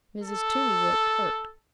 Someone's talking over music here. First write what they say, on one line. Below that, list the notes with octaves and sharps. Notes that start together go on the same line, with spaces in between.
Mrs. Toomey looked hurt.
A4